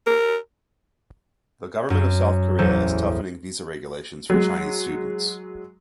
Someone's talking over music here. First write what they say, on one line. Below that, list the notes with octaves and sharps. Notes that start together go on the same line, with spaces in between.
The Government of South Korea is toughening visa regulations for Chinese students.
A#4
F#2
A1 E2 F#3 A4 C5 C#7
F#3 G#3